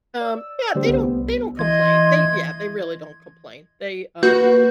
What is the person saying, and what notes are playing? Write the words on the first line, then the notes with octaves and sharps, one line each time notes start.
Um, yeah, they don't they don't complain. They Yeah, they really don't complain. They, um,
D5 E6
D3 G3 A3 D4 G4 C5
C2 B3
E3 D#5 C6 G#6
A#3 F#4 B4 G6